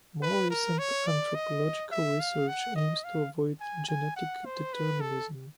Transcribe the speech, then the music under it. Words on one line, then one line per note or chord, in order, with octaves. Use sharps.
More recent anthropological research aims to avoid genetic determinism.
B4
A#4
C#5
D5
D#5
E5
F5
F#5
D#5
F5
G#5
G#5
F#5
C5
B4
A4